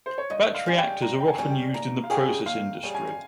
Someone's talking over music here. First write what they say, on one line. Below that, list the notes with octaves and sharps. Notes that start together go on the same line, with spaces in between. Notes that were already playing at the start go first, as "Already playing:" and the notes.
Batch reactors are often used in the process industry.
C5
C#5
G2 D#5
F5
G3 C#4 G#4
G5
G2 A#5
G5
G#5
G3 C#4 G#4
G5
D#2 A#5
F5
C#3 G3 C#4 G#4 G5
D#2 F5
C#3 G3 C#4 G#4
G#5